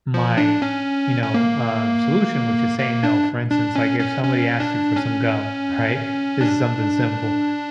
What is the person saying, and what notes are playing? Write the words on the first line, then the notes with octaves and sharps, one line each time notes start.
"my," you know, um, "solution," which is saying no. For instance, like, if somebody asked you for some gum, right? This is something simple,
F3
D4
C#4
C#4
A#3
A#3
D4
D4
C#4
C#4
C#4
D4
C#4
D4